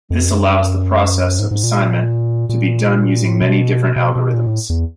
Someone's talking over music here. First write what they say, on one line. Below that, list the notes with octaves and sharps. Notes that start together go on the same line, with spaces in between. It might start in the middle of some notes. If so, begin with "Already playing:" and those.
This allows the process of assignment to be done using many different algorithms.
F2
F#2
G#2
G#2
A#2
A#2
A2
B2
B2
B2
A#2
A2
E2